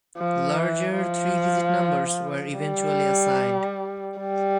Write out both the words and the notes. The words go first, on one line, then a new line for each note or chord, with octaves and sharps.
Larger three-digit numbers were eventually assigned.
F3
E3
F3
G3
G3